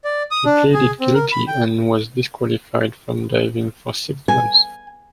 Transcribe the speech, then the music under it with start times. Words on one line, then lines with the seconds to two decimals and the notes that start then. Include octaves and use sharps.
He pleaded guilty and was disqualified from driving for six months.
0.04 D5
0.31 D#6
0.45 D4
0.74 G#4
1.00 C4
1.14 A#4
1.32 B5
1.48 G5
4.28 G#5